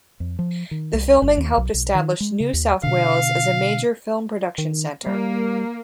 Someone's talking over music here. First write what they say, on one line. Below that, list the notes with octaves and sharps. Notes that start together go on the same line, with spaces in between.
The filming helped establish New South Wales as a major film production center.
F2
F3
D#3
C2
G1
D#2
B1
B1
D#3
G#3
C#3
D#2
B2 D3 F5
D#3
G3 A#3